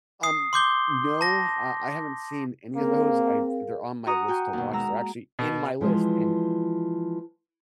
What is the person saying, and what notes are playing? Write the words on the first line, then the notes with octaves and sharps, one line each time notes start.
Um, no, uh, I haven't seen any of those. I've they're on my list to watch. They're actually in my list, and
D#6 C7
C6 D6 G6 G7
A5 A#6
A#3 C4 G#4 A#4 F5
F#4 G#5 A#5 C#6 D#6
F#4 G5 G#5
D#2 B2
G#3 A#5 E6
B2
E3 F3 G#3